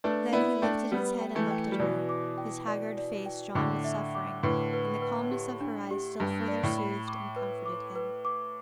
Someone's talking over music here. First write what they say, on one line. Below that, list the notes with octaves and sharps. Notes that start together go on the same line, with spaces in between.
Then he lifted his head and looked at her, his haggard face drawn with suffering, and the calmness of her eyes still further soothed and comforted him.
A3 D4 B4
B3 E4 D5
A3 D4 G5
G3 B3 B4
G5
E3 A3
G5
G3
B2 E3 D5
D6
G5
D5
D5
G5
A2 D3 D6
E5
D6
A2 D3 B4
B4
B4
G4
D4
G4
G2 D4
D5
A2
B5
D6
B4
D6
B4
D6